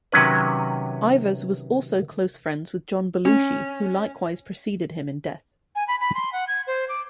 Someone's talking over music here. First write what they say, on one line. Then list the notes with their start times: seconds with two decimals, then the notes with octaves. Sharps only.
Ivers was also close friends with John Belushi who likewise preceded him in death.
0.12 C3 D#3 F#3 C#4 B4
3.25 C#4
5.76 G#5
5.88 B5
6.01 B5
6.15 C6
6.33 F#5
6.48 G#6
6.67 C5
6.89 D6